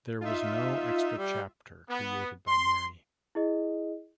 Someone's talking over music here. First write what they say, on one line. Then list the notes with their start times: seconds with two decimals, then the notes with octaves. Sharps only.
There was no extra chapter created by Mary.
0.21 D#4 F4 E5
1.18 G3
1.89 B3
2.48 C6
3.35 E4 G#4 D#5